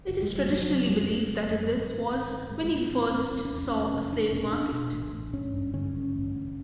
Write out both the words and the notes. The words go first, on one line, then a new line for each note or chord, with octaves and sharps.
It is traditionally believed that this was when he first saw a slave market.
F#1
G#3
F#1
G3
F#1 F#3
F#3
C#3
F#2 G#3
F#2
F#1
F#2
G#1
G#2
G#1
G#2
G#2 G#3
G#3
G#2
B3
G#1 C4
G#2 C4
F1 C4
C#4
E2
C#4
B2
F1
E2 D4
B2 C#4
F1 D4
B2
A1
A1
G2 C#4
G2
D3 C#4
G2
A1
D3